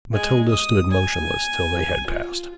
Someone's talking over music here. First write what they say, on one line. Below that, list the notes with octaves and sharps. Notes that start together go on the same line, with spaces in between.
Matilda stood motionless till they had passed.
G#3 G#5
D#6
G#5
F4